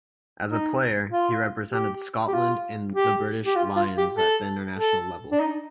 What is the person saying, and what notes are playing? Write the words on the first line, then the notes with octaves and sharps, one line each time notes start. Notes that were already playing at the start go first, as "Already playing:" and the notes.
As a player, he represented Scotland and the British Lions at international level.
D#4
F4
G4
G4
F4
G4
G4
F4
F4
G4
A4
A4
D4
D#4